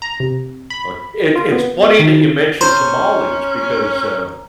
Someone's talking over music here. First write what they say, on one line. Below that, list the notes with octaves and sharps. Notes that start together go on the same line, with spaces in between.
Ok It's it's funny that you mentioned tamales because, uh,
A#5
C3
B5
F4
B3
D#3
C#4 C5 A#5